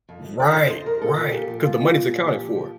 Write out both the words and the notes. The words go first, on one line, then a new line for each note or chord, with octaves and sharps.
Right, right, 'cause the money's accounted for.
F2
F2
D3 D5
F2 D#5
F2 C5
F2 A#4
A#2 A4
A#2
A#2 G4
F3
F3 F4
A#2
A#2
A#2
F3 G4
F3
F3